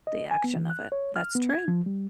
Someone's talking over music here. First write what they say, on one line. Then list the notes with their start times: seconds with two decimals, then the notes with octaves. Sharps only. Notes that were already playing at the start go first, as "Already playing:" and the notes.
The action of it. That's true.
0.07 D#5
0.31 G#5
0.44 B3
0.56 E3
0.70 F#6
0.92 C#5
1.16 F6
1.35 B3
1.50 G#6
1.68 F3
1.86 G3